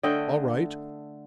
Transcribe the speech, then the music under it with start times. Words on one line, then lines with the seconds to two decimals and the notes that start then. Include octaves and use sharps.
'All right.
0.03 D3 A3 D#5 G5